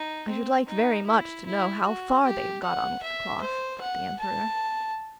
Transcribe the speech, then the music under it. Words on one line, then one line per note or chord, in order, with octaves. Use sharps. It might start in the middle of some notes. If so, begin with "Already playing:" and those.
'I should like very much to know how far they have got on with the cloth,' thought the Emperor.
Already playing: D#4
C4
D#4
E4
E4
F#4
G4
F#5
E5
C5
F#5
A5